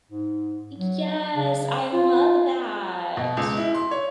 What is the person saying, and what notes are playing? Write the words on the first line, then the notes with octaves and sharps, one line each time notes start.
Ec yes, I love that.
G#2
F#3
C#3
F4
B2
C#2
E4
C6
C#5